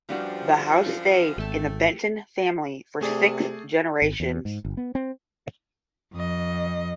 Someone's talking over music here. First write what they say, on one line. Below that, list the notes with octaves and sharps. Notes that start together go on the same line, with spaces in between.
The house stayed in the Benton family for six generations.
F#2 F3 G3 D4 F#4 G4 B4 D5
A4
G#1 A3 G5 A5
C3 A3 G#4 D5
G#1
E2
G#2
G1
B3
C4
F2 D#5